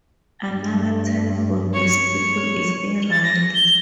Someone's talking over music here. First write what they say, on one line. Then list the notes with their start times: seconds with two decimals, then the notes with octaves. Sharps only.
Another term for these people is eRider.
0.49 G2
1.73 C#5
3.11 A6
3.23 A#6
3.54 G7